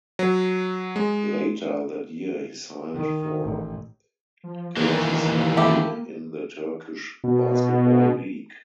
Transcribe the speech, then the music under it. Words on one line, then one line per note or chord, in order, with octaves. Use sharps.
Later that year he signed for Galatasaray in the Turkish Basketball League.
F#3
G#3
D#3
A1
F3
D#2 E3 A#3
A3 E4 G4
B2